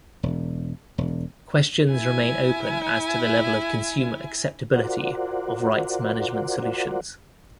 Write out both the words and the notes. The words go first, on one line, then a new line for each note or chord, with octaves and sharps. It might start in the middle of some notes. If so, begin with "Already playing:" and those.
Questions remain open as to the level of consumer acceptability of rights management solutions.
E1
E1
E4 G#5
F4 F#4 A#4 C5 D5 F#5